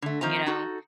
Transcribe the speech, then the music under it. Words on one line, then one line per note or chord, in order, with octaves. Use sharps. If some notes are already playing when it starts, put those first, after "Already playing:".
you know?
D3 A3
D#3 F3 C4 A#5
D#4 F#4 A4